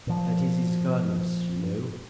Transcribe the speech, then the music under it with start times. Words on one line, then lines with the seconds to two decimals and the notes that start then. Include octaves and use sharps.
That is his Godness, you know.
0.07 A#2 F3